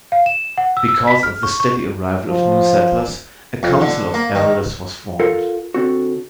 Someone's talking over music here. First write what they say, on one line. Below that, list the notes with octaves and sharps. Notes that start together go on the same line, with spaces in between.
Because of the steady arrival of new settlers, a council of elders was formed.
F5
E7
F#5
E6
E6
B6
F6
C#6
C#6
F3
F2
D3
A#3
D#3
F4 A4 A#4 F5 F#5
D3 C4 F#4